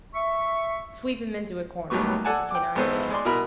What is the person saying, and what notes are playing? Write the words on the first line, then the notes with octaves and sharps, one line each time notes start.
"Sweep him into a corner," said Thenardier.
E5 C#6
D#2 A2 F#3 G3 B3 C#6
A4 D5 F#5 G#5 A5
G5 D6
G#1 G#3 B3 A4 C5
G#3 D5 C6
B2 E4 A#4 B5